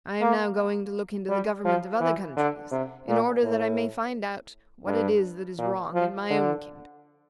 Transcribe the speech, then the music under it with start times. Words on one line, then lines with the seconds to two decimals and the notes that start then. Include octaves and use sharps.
I am now going to look into the government of other countries in order that I may find out what it is that is wrong in my own kingdom.
0.21 A#3
1.29 G3
1.65 F3
2.00 E3
2.37 D3
2.72 C3
3.08 A#2
3.43 A2
4.86 G2
5.58 A#2
5.94 F3
6.30 D3